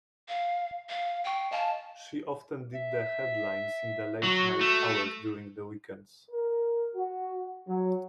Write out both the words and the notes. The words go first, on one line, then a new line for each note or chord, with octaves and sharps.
She often did the headlines in the late night hours during the weekends.
F5
F5
G5 C#6 C7
D#5 F5 G#5 A5
E5
F#3 F#4
A3
A#4
F#4
F#3